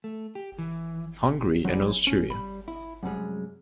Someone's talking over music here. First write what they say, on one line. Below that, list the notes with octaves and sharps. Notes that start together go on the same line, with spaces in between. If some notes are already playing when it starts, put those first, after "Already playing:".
Hungary and Austria.
A3
G4
E3
F#3 C4 D4 E4 G#4 D5
C#4
G3 B5
E4
F#2 C3 G3 G#3